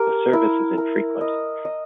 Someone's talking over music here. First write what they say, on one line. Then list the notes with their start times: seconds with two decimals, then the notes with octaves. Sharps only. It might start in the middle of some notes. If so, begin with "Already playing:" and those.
The service is infrequent.
Already playing: G4 A#4
0.33 E4
0.78 A#4
1.21 D#5
1.65 D#5